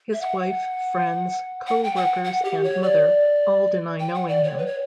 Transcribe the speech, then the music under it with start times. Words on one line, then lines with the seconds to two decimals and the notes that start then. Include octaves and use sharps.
His wife, friends, co-workers, and mother all deny knowing him.
0.13 E5
0.21 F#5
1.67 F#5
1.84 G5
1.95 F#5
2.24 F#5
2.45 G4
2.64 C#5
2.83 D5
4.00 G5
4.15 F#5
4.28 D5
4.44 C#5
4.58 B4
4.66 C#5